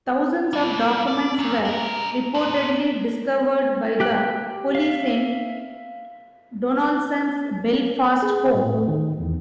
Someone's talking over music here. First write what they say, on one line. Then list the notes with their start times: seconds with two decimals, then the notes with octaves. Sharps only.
Thousands of documents were reportedly discovered by the police in Donaldson's Belfast home.
0.53 G3 E4
1.08 D5
1.39 F#2
1.65 D4 A#4
2.35 A#4 C5
4.00 G4 G5 F#6
4.75 E5 F5
8.22 G#4
8.54 A2
8.74 A3
8.88 D#3
9.20 E2